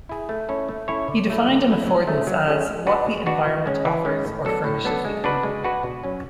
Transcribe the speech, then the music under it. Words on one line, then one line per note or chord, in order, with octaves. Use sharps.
He defined an affordance as what the environment offers or furnishes the animal.
E4 G#4
A3
C#4 E4 A4 C#5
A3
C#4 E4 A4 C#5
D3
F#3 A3 E4
D3
F#3 A3 E4
F#3
A3 C#4 G#4
F#3
A3 C#4 G#4
G#3
D4 F#4 B4
G#3
D4 F#4 B4
E3
G#3 C#4
E3
G#3 C#4
A2
F#3 B3 D4 A4
A2
F#3 B3 D4 A4
G#3
D4 F#4 B4
G#3
D4 F#4 B4
B2
F#3 C#4